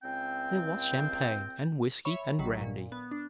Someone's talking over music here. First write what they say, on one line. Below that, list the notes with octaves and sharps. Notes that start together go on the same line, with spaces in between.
There was champagne, and whiskey, and brandy.
C#2 C4 G5
C#5 E5 B5 C#6
A#1 D#3 F#3 B6
A#2
B3
D4